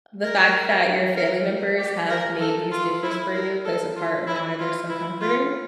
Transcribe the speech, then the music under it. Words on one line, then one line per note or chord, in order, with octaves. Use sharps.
the fact that your family members have made these dishes for you plays a part in why they're so comforting?
A#4
A#4
G4
A#4
A4
F4
E4
A#4
A4
F4
E4
F4
E4
F4